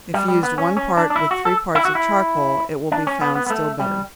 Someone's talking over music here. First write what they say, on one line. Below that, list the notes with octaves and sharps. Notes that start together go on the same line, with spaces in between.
If used one part with three parts of charcoal, it will be found still better.
G3
G3
B3
C#4
C#4
D4
D4
E4
F#4
A4
E4
F#4
E4
D4
C#4
B3
B3
B3
A3
G3